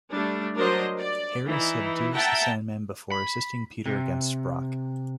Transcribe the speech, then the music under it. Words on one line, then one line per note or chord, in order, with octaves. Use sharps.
Harry subdues the Sandman before assisting Peter against Brock.
G3 A3 D4
F#3 D4 A#4 C5 D#5
D5
E3 D#4 E4
E5 F#5 G5 A5 A#5
B5
C3